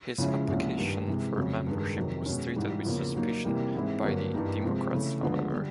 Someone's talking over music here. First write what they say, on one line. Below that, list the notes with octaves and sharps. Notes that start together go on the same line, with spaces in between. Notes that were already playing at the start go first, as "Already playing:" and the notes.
His application for membership was treated with suspicion by the Democrats however.
C#3 F3 G#3 C#4 E4
C2 A#2 F3 G#3 C#4
G2 D#3 G3
C3 E3 G#3
F2 C#3 F#3
G2 D#3 G#3
F2 C3 D#3 F#3
B2 G#3 C#4
G#2 E3 G3
E2 C#3 F3 A#3
A#2 F#3 A#3 D#4
C3 E3 G3 A#3
G#2 E3 G#3 C4 E4
G2 D3 F#3 A#3
G2 E3 G3 A#3 D#4
C3 F3 G#3 C4
C#3 E3 A3
D2 D3 F3 G#3 B3
D3 G3